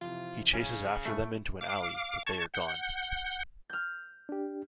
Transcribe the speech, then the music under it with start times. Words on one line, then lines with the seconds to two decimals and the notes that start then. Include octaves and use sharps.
He chases after them into an alley, but they are gone.
0.01 F2 C3 E3 F4
0.53 C#3 C#4 C#5
1.06 A3 E4 B5 C#6
1.61 F5 D6
2.27 A5 C#6 G#6
2.54 F#5 G6
3.70 F6 G6
4.29 D4 G4